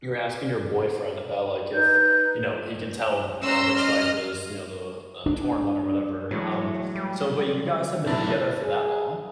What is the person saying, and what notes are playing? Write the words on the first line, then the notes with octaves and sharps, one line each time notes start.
you're asking your boyfriend about, like, if, you know, he can tell, well, which leg was, you know, the, uh, torn one or whatever, um, so but you guys have been together for that long?
D#4 B4 G6
C#4 A#5 C6 E6
D#5 F6
D4
A2 E3 F#3 G#3 A3
G3
B1 D4 E4 B4
G#4